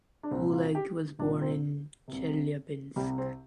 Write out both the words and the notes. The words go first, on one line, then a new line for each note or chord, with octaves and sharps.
Oleg was born in Chelyabinsk.
D4
C2 A#2 C4
F4
G4
C2 A#2 D4
C4
C2 C3
C2 C3 G3
C4